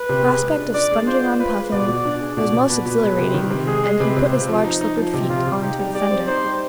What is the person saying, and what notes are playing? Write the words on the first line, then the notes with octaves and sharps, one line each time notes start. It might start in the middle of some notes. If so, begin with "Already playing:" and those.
The prospect of sponging on Puffin was most exhilarating, and he put his large slippered feet on to the fender.
Already playing: B4
C3
G#4
G#3
D4
D4 D5
G#3
F4 C5
F4
F4 B4
G#3
B2 D5
B2
D4
G#4
B2 D5
B2
B2 B4
B2
G#3
C3
D#3
C3
G#3 G#4
G#3
C3 B4
C3
C4 F4
F3
D#4
D#4
F3
C3
C3 F4
C3
D#4 G4
G3
G3 D5
C4
D#4 C5
G3